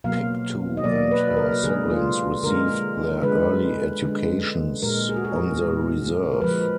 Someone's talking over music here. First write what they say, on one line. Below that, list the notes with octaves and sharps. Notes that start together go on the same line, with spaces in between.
Pictou and her siblings received their early educations on the reserve.
B2 F#3 A#3 F5
D#5
B2 F#3 A#3 D5
B4
A#4
D3 G#3 G#4
F4
D3 G#3 A#4
D3 G#3 B4
D3 G#3
A#2 G#3 A#4
G#4
F#4
G#4
A#4
A#2 G#3
A#4
D3 F3 G#3 B4